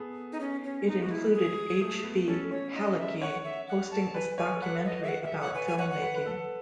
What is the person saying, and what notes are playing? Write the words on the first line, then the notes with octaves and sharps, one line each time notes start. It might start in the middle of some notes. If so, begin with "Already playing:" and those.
It included H. B. Halicki hosting a documentary about film making.
Already playing: B3 G#4 A4
D#4
C#4
C#4
G#3 D#4
F#4
E4
G#4
A3
B3
C#4 A4
C#4 C#5
D#4 D#5
E5
C#5 F#5
E5
F#5
A5
B4 G#5
C#5 G#5
A4
B4 F#5
D#5
E5
F#5
E5
F#5
C#5
B4 G#5
G#5
C#5 F#5
F#5
B4
B4
A4